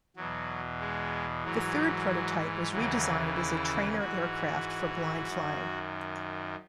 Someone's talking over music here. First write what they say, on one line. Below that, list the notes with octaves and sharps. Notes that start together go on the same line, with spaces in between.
The third prototype was re-designed as a trainer aircraft for blind flying.
E2 B2 F#3
G#3
G#2 E3 F#3
D#2 C#3 E3 F#3
E4
G#2 E3 F#4
F#2 D#3